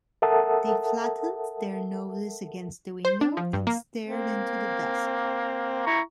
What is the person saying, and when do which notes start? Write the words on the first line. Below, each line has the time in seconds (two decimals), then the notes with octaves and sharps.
They flattened their noses against the window, and stared into the dusk.
0.22 A4 A#4 E5 F#5 A5 D#6
3.05 C5
3.21 D4
3.37 F3
3.53 G2
3.67 A#3
4.05 A#3 C4
5.86 E4 A#5 C#6